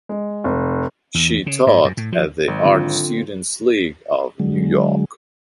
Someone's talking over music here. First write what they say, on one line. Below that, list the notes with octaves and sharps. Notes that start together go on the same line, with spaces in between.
She taught at the Art Students League of New York.
G#3
F1
E2
C#3
G#2
F#2
A2
F3
G#1 F#3
D3 C4 F4
D3 F#3 G#3